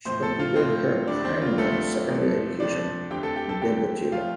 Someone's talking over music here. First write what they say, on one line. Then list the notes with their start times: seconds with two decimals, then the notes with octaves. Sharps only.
She completed her primary and secondary education in Debre Tabor.
0.05 A2 F3 A3 C4 C5 C6
0.22 A4 A5
0.39 F4 F5
0.56 A2 F3 A3 C4 C5
1.07 D2 D3 G3 C4 D4 D5
1.24 C4 C5
1.42 F4
1.58 D2 D3 G3 A3 C4 A4
2.08 F2 C3 F3
2.60 F2 C3 F3 D4 D5
3.10 F2 D3 A3 C4 G4 G5
3.23 A4 A5
3.36 G4 G5
3.49 A4 A5
3.61 F2 D3 A3 C4 G4 G5
4.12 F3 A3 F4 F5